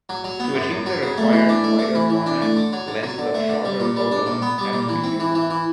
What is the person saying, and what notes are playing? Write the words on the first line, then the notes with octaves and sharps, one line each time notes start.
To achieve the required wider format, lenses of shorter focal-length had to be used.
F#3
F#3
B3
F#2
F#2
F#3
C#3
A3
E3
D4
A3
A3
E3
E3
D4
A3
D3
F#3
D3
F#3
D3
A3
D3
G3
A#2
G3
D4
A#2
B3
G3
A#2
E3
C4
E3
E3
E3